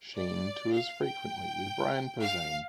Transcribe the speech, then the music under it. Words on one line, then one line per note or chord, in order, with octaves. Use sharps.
Sheen tours frequently with Brian Posehn.
D5
F5
G5
F5